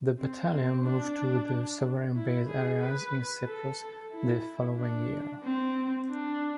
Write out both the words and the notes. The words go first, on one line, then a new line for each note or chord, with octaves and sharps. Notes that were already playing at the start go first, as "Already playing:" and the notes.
The battalion moved to the Sovereign Base Areas in Cyprus the following year.
C4
C4
D4
E4
G#4
B4
A4
E4
D4
C4
D4